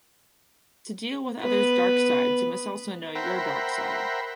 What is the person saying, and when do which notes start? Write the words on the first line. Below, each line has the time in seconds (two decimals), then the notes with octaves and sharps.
To deal with others' dark sides, you must also know your dark side.
1.42 B3 B4
3.15 A#4 C5 E5 F#5 G5 B5